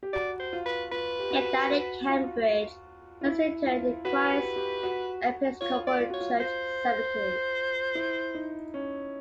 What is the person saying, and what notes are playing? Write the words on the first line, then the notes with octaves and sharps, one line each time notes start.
He died in Cambridge, and is interred in Christ Episcopal Church Cemetery.
G4
F#4 D5
C5
F4
B4
F4 B4
G4
F#4
F#4
F4
F4
E4
F4
F#4 B4
G4
G4
F#4
F#4
F4 C#5
D5
F4
F#4 C#5
F4
C5
E4
D#4
C#4